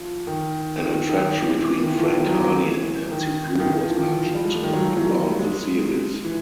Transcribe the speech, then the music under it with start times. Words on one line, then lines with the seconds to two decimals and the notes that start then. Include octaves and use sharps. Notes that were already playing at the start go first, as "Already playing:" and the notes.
An attraction between Frank Hardy and Nancy Drew was mentioned throughout the series.
Already playing: F3
0.27 D#3
0.84 D#3
1.09 D#3
1.41 E3
1.84 D#3
1.90 E3
1.97 F3
2.05 D#3
2.12 E3
2.26 F#3
2.40 F#3
2.55 E3
3.11 D#3
3.60 D#3
3.68 E3
3.83 F3
3.97 D#3
4.11 E3
4.25 F3
4.35 G3
4.44 G#3
4.54 A3
4.63 D#3
4.73 F#3
4.82 F3
4.97 F#3
5.10 G3
5.30 A3
5.39 G#3
6.24 E3